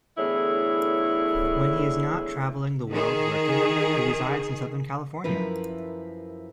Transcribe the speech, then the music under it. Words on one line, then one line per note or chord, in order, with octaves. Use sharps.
When he is not traveling the world working, he resides in Southern California.
E2 A2 D3 E4 G#4 C#5
D#3 G#4
F#2 F3 E4 A#4 B4